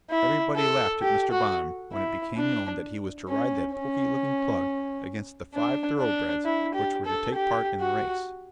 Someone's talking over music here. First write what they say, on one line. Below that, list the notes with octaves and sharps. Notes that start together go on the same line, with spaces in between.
Everybody laughed at Mr. Bonham when it became known that he was to ride that poky-looking plug against the five thoroughbreds which were to take part in the race.
E4
A4
G4
F#4
E4
D4
C#4
C#4
D4
D4
E4
G4
A4
G4
F#4